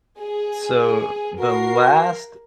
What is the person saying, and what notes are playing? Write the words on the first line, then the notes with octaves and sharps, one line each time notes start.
So, the last
G#4
F#4 A#4 C7